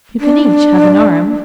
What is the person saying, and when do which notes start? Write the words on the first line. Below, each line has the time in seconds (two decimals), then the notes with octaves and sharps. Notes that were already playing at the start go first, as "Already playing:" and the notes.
"You can each have an arm."
0.20 D4